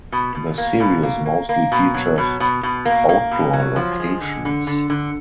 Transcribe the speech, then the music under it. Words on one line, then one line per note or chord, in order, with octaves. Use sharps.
The series mostly features outdoor locations.
B2
B2
A#3
B2
A#3
A#3
A#3
B2
F#3
B2
B2
B2
A#3
A#3
B2
F#3
F3
G#3
D3
D3
D3
D3